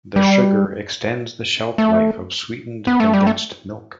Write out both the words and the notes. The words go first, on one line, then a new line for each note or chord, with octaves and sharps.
The sugar extends the shelf life of sweetened condensed milk.
G3
A3
B3
A3
G3
A3